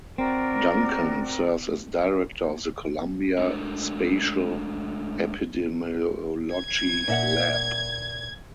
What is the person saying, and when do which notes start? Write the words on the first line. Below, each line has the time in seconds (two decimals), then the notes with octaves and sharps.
Duncan serves as Director of the Columbia Spatial Epidemiology Lab.
0.18 C4 F#4 A#4 D5
3.38 G#3 A3 D4 A#4
6.54 G#6
7.08 A#2 E5 F#5